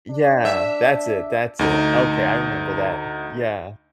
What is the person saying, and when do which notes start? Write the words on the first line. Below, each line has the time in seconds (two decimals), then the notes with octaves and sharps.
yeah, that's it, that's it, okay, I remember that, yeah.
0.11 D4
0.45 E5
1.59 D2 D#4